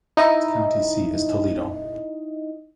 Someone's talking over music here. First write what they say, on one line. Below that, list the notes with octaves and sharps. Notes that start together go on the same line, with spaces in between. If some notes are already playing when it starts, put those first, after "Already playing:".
Its county seat is Toledo.
D#4 E4 D#5